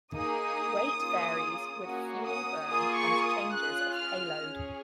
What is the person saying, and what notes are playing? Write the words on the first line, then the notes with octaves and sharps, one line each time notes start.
Weight varies with fuel burn and changes of payload.
A#3 D#4 G#4 D#6
A#3 C#4 F4 G#4
A#3 C#4 F#4
D#6
A#3 F4 G#4 D#6
C#6
D#6
C#4 F4 G#4 F#6
F6
C#4 G#4